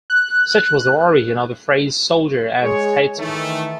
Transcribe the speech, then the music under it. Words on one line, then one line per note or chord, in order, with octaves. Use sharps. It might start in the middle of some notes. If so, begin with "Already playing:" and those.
Such was the origin of the phrase "soldier and statesman".
F#6
G#3 G#4 C#5
D#3 E3 A3